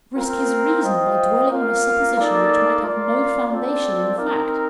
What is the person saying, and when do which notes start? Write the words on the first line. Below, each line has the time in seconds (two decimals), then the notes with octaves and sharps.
Risk his reason by dwelling on a supposition which might have no foundation in fact?
0.14 C4 F4 A#4
0.81 F4 C5 D#5 G5
1.49 A#3 F4 A#4 F5
2.16 A#3 D#4 A4 D5
2.83 F4 A#4 D5 F5
3.50 C4 F4 A4 D5
4.17 C4 D#4 A#4